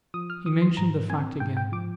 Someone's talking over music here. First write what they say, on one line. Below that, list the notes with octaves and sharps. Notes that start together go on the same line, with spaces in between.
He mentioned the fact again.
F3 D#6
F6
F3 D#6
C6
G#2 A#5
C4 G#5
G#2 G5
G5
F3 D6